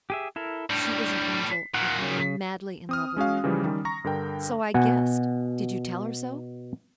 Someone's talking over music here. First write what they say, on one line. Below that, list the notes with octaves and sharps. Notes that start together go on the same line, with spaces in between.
"She is an angel, and I am madly in love with her." "So I guessed; did you tell her so?"
G4 G#4 E5
E4 A4 A#4
A2 G3 D4
A#2 D#3 F#5
C#3
C4 D#6 F6
G#3 C#4 F#4 F5
C#3 E3 F3 G3
D#3 G3 C#4
A#5 C#6 A#6
G2 D3 A#4 G5
B2 F#5 G#5